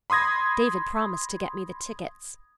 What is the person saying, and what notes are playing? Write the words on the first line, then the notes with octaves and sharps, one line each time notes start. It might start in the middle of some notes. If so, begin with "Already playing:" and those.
David promised to get me the tickets.
B5 C6 D#6 G#6 A#6